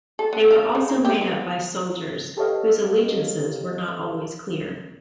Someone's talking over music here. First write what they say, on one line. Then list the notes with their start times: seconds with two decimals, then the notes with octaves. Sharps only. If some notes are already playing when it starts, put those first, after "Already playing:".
They were also made up by soldiers whose allegiances were not always clear.
0.19 A4
0.33 B3
0.51 F5
0.75 C#3
0.89 A#3
1.05 G4
1.21 B3
2.37 G4 A4 B4 C#5 D#5 F5